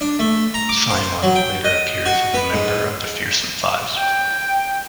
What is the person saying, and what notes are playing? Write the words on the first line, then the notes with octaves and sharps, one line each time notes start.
Psimon later appears as a member of the Fearsome Five.
D4
A3
A#5
D6
C5
F#3
G5
D#5
F#4
B3
G#2
G5